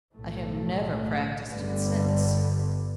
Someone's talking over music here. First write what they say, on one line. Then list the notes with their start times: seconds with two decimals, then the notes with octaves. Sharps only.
I have never practised it since.
0.13 B1 A2 A3
1.49 G1 G2 D3 G3 B3